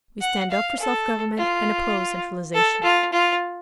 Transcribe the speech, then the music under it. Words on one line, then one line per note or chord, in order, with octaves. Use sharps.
We stand up for self-government, and oppose centralisation.'
F#5
F5
A4
F4
A4
F4
F4